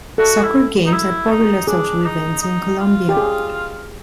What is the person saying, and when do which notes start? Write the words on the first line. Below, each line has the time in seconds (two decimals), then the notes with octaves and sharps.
Soccer games are popular social events in Colombia.
0.18 F#4 A4
0.43 E4
0.86 D#4
0.93 E4
1.31 D#4
1.67 D4 G#4
2.05 D#4
2.43 D#4
2.79 F4
3.09 G4
3.17 G#4